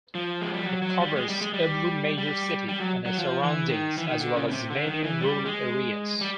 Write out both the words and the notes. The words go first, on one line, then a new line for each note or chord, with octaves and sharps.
It covers every major city and its surroundings, as well as many rural areas.
F3
G#3
G3
F#3
F#3
G3
G#3
G3
G#3
G3
G3
G3
F#3
F#3
F3
E3
D#3
E3
D#3
D3
C#3
B2
C3
D3
D#3
E3
G3
G#3
G3